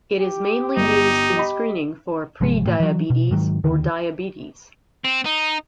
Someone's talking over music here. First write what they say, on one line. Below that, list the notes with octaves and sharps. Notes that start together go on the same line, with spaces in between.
It is mainly used in screening for prediabetes or diabetes.
G4
G1 D#4
D#5 B5
G#1 C3 F3 G#3
A2 C3 E3
E3 F#3
B2
G#2 D#3 F#3
D#2 B2 D3 D#3
C4
D#4